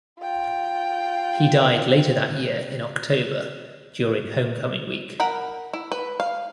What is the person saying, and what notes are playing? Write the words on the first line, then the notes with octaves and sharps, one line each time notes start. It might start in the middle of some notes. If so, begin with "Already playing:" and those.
He died later that year in October, during Homecoming week.
F4 G5
A#4 F#5 B5
E4
B4
F5